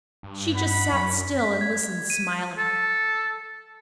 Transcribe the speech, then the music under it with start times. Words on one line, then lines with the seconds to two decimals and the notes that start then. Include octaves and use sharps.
She just sat still and listened, smiling.
0.23 G2
0.55 F#5 B5
0.92 F#2
1.39 B6
1.61 G#6
2.10 D#7
2.58 A4